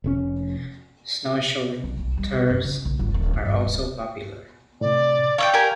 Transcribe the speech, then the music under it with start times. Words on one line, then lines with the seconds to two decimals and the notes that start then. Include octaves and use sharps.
Snowshoeing tours are also popular.
0.04 F1 C3 C#4
1.84 B1
1.99 B1
2.18 G3
2.34 B2
2.50 F#2
2.65 C#3
2.85 A#1
2.99 G1
3.14 D#1
3.33 A#1
3.46 G2
3.66 D1
4.81 A2 C3 D5
5.38 C#5 E5 F5 G5
5.53 G4 A#4 G#5